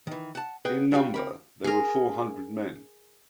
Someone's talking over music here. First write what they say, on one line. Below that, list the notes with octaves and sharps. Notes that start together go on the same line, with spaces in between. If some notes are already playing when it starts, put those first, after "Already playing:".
In number they were four hundred men.
D#3 E3
F#5 A5
G#4 B4 F#5 G5
G3 F4 F#4 F5 G5
C4 A#4 B5
G#4 A#4